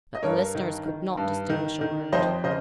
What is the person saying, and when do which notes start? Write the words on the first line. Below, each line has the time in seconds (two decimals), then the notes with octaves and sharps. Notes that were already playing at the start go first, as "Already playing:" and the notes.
But the listeners could not distinguish a word.
0.15 D#5
0.23 G2 A#4 C#5
0.55 D#3
0.86 D#3
1.17 G2
1.50 D#3
1.81 D#3
2.12 F2 C5 D#5
2.44 C#3 C5 D#5